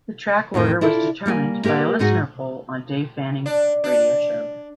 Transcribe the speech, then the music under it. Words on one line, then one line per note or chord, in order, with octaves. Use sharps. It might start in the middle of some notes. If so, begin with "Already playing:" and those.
The track order was determined by a listener poll on Dave Fanning's radio show.
F2 A2 D3 D#3
D4 E4 F4 A4
G3 A#3 G5 G#5
A#3 G4 A#4 B4 F5
G#2 D#4 F#4 G#4 F#5
D4
D4